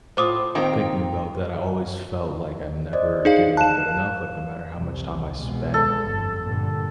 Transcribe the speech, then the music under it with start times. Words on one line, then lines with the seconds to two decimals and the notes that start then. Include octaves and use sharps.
thinking about that I always felt like I'm never getting good enough, like, no matter how much time I spent
0.17 A2 F4 C5 D6 D#6
0.55 D#3 A#3 C4 G5 A#5
2.93 C5 D5 D#5
3.25 D#4 G#4 F5
3.57 F5 A5 F#6 E7
4.79 C2
5.38 B2 G#3
5.74 A4
6.07 G1 F2
6.44 G2 A#2 D3